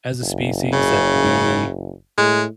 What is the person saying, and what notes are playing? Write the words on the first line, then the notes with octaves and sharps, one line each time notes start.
as a species that we
F#1
C#3
A2 G#3